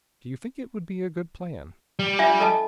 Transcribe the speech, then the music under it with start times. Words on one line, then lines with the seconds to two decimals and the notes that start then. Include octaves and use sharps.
"Do you think it would be a good plan?"
1.99 G3
2.19 D4 F4 E5
2.40 A4 D#5 A5